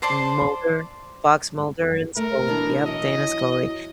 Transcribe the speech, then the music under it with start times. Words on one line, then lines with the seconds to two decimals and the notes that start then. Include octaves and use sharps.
Mulder, Fox Mulder and Scully, yep, Dana Scully.
0.02 C5 D5 A5 C6
2.17 A3 A#4
2.47 B2 E3 D4
2.86 E3 F#3 D#5